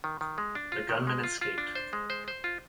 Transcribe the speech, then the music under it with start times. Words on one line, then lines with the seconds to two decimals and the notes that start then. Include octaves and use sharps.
The gunmen escaped.
0.04 D#3
0.21 D#3
0.38 G#3
0.55 D4
0.72 F4
0.89 D#3
1.07 G#3
1.24 F4
1.41 F4
1.58 D4
1.75 C5
1.93 G#3
2.10 C5
2.28 C5
2.44 F4